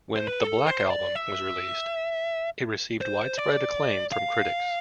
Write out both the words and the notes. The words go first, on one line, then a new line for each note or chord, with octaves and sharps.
When "The Black Album" was released, it received widespread acclaim from critics.
C5
B4
A4
C5
D5
E5
C5
D5
F5